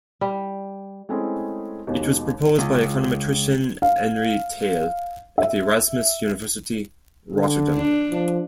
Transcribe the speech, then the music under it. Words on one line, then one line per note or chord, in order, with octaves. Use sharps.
It was proposed by econometrician Henri Theil at the Erasmus University Rotterdam.
G3
G#3 A3 C4 C#4 E4 G#4
D#2 B2 G#3 A#3
C#2
F5
E5
D3
D4
F3